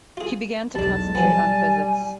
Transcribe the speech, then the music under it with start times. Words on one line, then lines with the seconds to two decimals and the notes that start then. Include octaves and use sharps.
He began to concentrate on physics.
0.17 F4 G#4
0.75 B1 E2 G3 D4 A5
1.15 F3 G3 B3 G#5